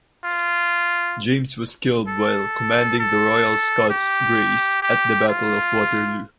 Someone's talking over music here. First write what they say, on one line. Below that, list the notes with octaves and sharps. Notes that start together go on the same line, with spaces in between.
James was killed while commanding the Royal Scots Greys at the Battle of Waterloo.
F4
A4
A4
G4
G4
F4